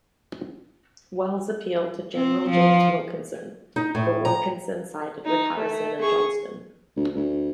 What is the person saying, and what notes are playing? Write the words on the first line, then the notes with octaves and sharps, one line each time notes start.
Wells appealed to General James Wilkinson, but Wilkinson sided with Harrison and Johnston.
C4
F3
D#4
A2
A#5
D#4
A3
G#4 C#6
D2
D2